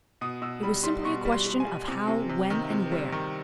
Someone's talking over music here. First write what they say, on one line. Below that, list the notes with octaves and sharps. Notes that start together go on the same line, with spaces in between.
It was simply a question of how, when, and where.
B2 D#6
B2 E6
G3 B5
G3 C6
B2 C#6
G3
C6
G3
G#5
G3
C3
C3
C3
D#3
C3
G3
D#3